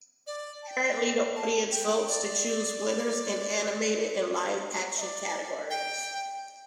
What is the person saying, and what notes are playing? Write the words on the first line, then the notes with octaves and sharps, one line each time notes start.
Currently, the audience votes to choose winners in animated and live-action categories.
D5
A5
G5
A5
G5
D5
E5
D5
G5